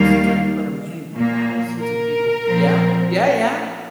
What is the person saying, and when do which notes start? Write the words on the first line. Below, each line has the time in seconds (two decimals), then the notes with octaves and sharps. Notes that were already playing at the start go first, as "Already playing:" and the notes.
stood in front of many thousands of people. Yeah? Yeah, yeah?
Already playing: D#2 D#3 G3 A#3 F5
1.15 A#2 A#3
1.81 A#4
2.47 A#2 F3 C4